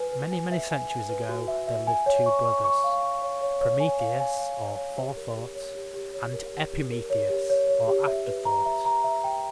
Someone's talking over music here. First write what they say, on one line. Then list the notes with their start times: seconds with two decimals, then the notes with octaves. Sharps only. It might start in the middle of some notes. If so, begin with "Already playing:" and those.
Many, many centuries ago there lived two brothers, Prometheus or Forethought, and Epimetheus or Afterthought.
Already playing: F#4 B4 G#5
0.12 B4
0.32 G#5
0.51 E5
0.71 G#5
0.90 G#5
1.09 B4
1.29 F#4
1.48 E5
1.68 E5
1.87 G#5
2.06 C#5
2.26 C#6
2.45 C#6
2.64 C#6
2.84 F5
3.04 C#6
3.22 C#5
3.41 C#5
3.61 C#5
3.80 G#5
4.00 F5
4.20 G#5
4.39 F5
4.58 C#5
4.77 C#5
4.97 G4
5.17 A#4
5.36 G4
5.55 C#5
5.75 G4
5.94 G4
6.14 C#5
6.33 A#4
6.52 G4
6.72 G4
6.92 A#4
7.10 C#5
7.29 G4
7.50 C#5
7.69 C#5
7.88 G4
8.07 E5
8.26 B4
8.45 A#5
8.66 E5
8.85 A#5
9.04 E5
9.24 G5